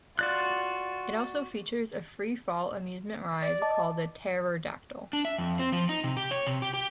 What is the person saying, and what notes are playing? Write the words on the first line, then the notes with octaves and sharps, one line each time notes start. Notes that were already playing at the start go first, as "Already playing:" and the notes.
It also features a free-fall amusement ride called the Terror-Dactyl.
F4 F#4 D5 F#6
D5
D#5 A5 D6
D4
E5
F2
C4
F3
D#4
C3
G4
C#5
C3
G4
G4